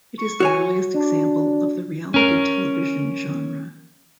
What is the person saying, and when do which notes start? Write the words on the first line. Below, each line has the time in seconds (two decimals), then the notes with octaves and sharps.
It is the earliest example of the reality television genre.
0.18 C#6
0.40 F#4 C#5 G#5
0.94 D4
2.14 C#4 A#4